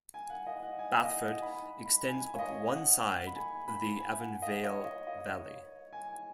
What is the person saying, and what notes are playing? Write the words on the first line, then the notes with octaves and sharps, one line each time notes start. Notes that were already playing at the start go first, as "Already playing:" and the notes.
Bathford extends up one side of the Avonvale Valley.
G#5
F#5
D#5
F#5
G#5
F#5
D#5
F#5
G#5
B5
B5
G#5
C#5
D#5
F#5
B5
G#5
B5
G#5
F#5
D#5
C#5
D#5
D#5
C#5
G#5